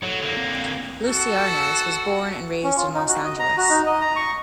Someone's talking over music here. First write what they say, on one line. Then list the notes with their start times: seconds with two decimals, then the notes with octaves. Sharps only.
Lucie Arnaz was born and raised in Los Angeles.
0.03 F#3 A4 C#5
0.22 D3 A#3
0.37 C4
1.06 F#4 A4 F#5
2.64 C#4
2.77 F4
2.94 D#4
3.08 F#4
3.24 D#5
3.39 A#5
3.57 F#4
3.70 D#4
3.86 D#5
4.01 A#5
4.16 C#6